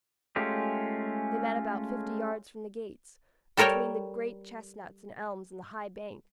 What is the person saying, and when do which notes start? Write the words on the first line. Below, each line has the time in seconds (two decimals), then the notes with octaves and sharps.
They met about fifty yards from the gates, between the great chestnuts and elms and the high bank.
0.36 G#3 A3 C#4 F4 G4
3.57 G3 A4 A#4 C#5 G5